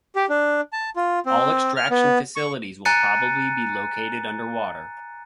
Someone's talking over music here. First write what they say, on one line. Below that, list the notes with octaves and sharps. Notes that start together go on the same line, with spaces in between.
All extraction facilities will probably be located under water.
G4
D4
A5
F4
C4
F6
B3
C#6
G#5 A#5 F#6 A6 C#7 D#7